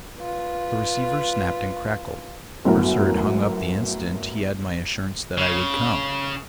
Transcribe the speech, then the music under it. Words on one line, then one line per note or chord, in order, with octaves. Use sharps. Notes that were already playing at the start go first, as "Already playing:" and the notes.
The receiver snapped and crackled; Mercer had hung up the instant he had my assurance that I would come.
F4 B4
G1 F#2 A2 F#4 A#4
C#3